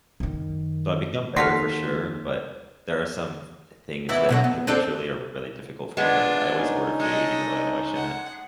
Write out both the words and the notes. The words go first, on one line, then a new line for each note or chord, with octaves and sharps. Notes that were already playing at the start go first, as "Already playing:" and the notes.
But become better for sure, but there are some th things that habitually are really difficult for me. Like, I always order food even though I know I shouldn't
F#2 D#3
D#2 F#4 A4 F5 C6 B6
E2 E3 E4
B2 D3 F#3
B3
C4 D4 A4
G#3 B3 D4 F4
C#4 D#4
G#3 A4 D#5
F#5